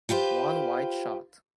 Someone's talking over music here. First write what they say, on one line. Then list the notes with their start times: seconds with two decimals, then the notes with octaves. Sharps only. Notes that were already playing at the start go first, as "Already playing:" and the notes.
One wide shot.
0.09 F4 G4 B4 C5